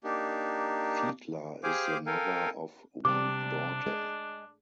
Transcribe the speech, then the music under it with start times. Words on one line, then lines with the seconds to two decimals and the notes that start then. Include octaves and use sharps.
Fiedler is the mother of one daughter.
0.04 A#3 D4 D#4 G4
1.63 G4 G#4 C5 F5 G#5 D6
2.06 A4 A#4 F5 G5 G#5
3.05 C3 G3 D4 D6
3.86 G#3